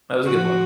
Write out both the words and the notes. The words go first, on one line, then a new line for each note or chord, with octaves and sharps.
That was a good one.
A2 F3 F#4